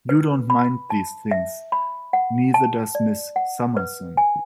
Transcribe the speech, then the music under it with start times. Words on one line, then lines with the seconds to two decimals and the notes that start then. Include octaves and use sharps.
You don't mind these things; neither does Miss Summerson.
0.09 B4
0.50 B5
0.90 A5
1.31 E5
1.72 B5
2.13 F#5
2.54 A5
2.95 D5
3.36 F#5
3.77 B4
4.17 G#5